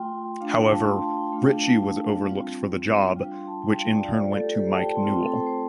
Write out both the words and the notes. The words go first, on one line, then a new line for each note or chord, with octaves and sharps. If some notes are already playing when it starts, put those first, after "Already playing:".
However Ritchie was overlooked for the job which in turn went to Mike Newell.
Already playing: A3 F4 G5 C6
A3 D4 F4 F5
G5
A5
C6
A5
G5
A3 D4 F4 F5
G5
A5
A5
G3 C4 F4
F5
G3 D4 F4 G5
C6
A5
G5
G5
F5
D5
A3 F4 D5
C5
A4
G4
A4
C5
A5
G5
A5
C6
A3 C4 F4 A5
G5
A4
C5
C5